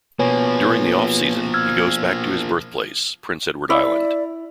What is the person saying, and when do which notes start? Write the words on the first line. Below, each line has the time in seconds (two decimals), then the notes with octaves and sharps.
During the off-season, he goes back to his birthplace, Prince Edward Island.
0.19 B2 F3 A#3 B4 C#5 G#5
1.54 E6 F6 G#6
3.70 E4 D5